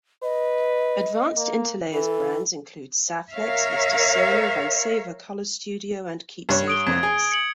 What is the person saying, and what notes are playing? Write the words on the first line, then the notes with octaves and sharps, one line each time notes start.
Advanced Interlayers brands include Saflex, Vistasolar, Vanceva Color Studio and KeepSafe Max.
B4 D#5
A#3
E3 A4
A#4 C#5 E5 F5
G2 C#5
D#6 D7 G7
F2 G#6
G#4
C#7 F#7